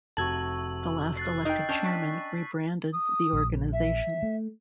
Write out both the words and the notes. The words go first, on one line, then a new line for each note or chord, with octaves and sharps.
The last elected chairman re-branded the organisation.
F1 C3 F#4 A5 C#6 E6 G#6 F#7
F#6 A6 C7
D#4 A#4 D#5 G5
C#4 D4 A5 G6 C7
C#6 B6
D#6
A#1
E5
A3